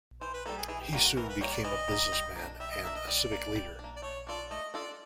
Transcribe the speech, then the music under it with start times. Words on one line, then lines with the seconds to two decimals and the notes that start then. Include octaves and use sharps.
He soon became a businessman and a civic leader.
0.21 E3 C5
0.34 B4
0.46 G3 A#3 A4
0.58 G#4
0.68 E3 G#4
0.81 G4
0.93 G3 A#3 F#4
1.05 F#4
1.16 E3 A#4
1.29 B4
1.40 G3 A#3 C#5
1.53 D5
1.64 E3 D#5
1.88 G3 A#3
2.12 G3
2.36 A#3 D4
2.60 G3 E5
2.72 D#5
2.84 A#3 D4 E5
2.96 D#5
3.07 G3 D5
3.32 A#3 D4
3.55 G3
3.79 D4
3.84 A#3
3.96 D5
4.02 A3 C#5
4.27 D4 F4 A4 D5
4.50 A3 D#5
4.74 D4 F4 A4 D5